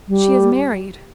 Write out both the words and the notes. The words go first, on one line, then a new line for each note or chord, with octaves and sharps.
"She is married."
G3